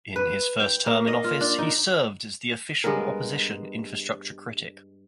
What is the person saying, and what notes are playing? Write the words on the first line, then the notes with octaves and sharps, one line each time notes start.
In his first term in office he served as the official opposition Infrastructure critic.
B4
G5
A#3
D#5
F4
D4
D#4
G2 G#3 B3 A#4